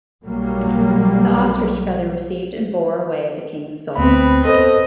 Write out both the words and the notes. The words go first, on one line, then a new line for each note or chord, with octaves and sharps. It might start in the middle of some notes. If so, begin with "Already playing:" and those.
The ostrich feather received and bore away the king's soul.
B1 F#3 G3 A#3
D2 B3 C4 B5
A4 B4 C5 D#5